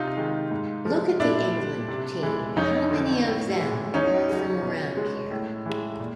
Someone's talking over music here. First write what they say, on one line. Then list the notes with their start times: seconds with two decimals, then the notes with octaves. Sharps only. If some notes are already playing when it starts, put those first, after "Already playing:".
Look at the England team, how many of them are from around here?
Already playing: C3 D#4 F4
0.17 D#3 G#3
0.51 G#2
0.85 F3 G#3
1.20 A#2 D4 E4
1.54 G3
1.88 C3
2.23 E3 G#3
2.56 F2 C#4 D#4
2.91 D3 F3
3.26 A2
3.59 E3 G#3
3.94 E2 C#4 D#4
4.29 C#3 F#3
4.63 B2
4.97 G#3
5.31 A2
5.66 E3 G#3
6.00 A#2